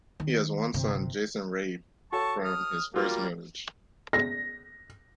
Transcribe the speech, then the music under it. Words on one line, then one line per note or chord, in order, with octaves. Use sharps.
He has one son, Jason Rabe, from his first marriage.
D#3
G1 C3
F#4 A4 C#5 A5 C#6
D#6 F6
F#3 G3 A#3 F4 A#4
A#6